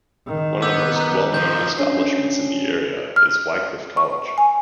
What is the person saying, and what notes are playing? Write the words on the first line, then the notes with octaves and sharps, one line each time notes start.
One of the most well known establishments in the area is Wycliffe College.
D#3
B3 D6 E6 G6
A#5
D#3 F3 G6
C#4 D4 C#5 C7
F6
C#6
G#5